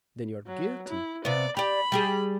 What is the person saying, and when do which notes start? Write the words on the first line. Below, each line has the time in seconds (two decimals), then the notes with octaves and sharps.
"Then you are guilty."
0.47 F#3
0.88 E4
1.25 C3 B3 D5
1.57 G4 D5 B5
1.92 G3 G4 G#4